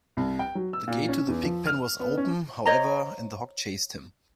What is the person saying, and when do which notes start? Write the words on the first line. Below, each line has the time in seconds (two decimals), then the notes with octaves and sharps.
The gate to the pigpen was open, however, and the hog chased him.
0.17 C2
0.39 G5
0.55 F#3
0.73 E6
0.88 A#2
1.09 C#4
1.28 E2
1.43 F3
1.67 F6
2.00 B3
2.18 C#4
2.66 C5 C#5 D#5 A#5